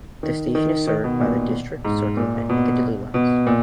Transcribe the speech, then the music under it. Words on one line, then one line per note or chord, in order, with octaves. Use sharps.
The station is served by the District, Circle and Piccadilly lines.
D#3
D#3
D#3
B2
A#2
G#2
A#2
B2
B2
A#2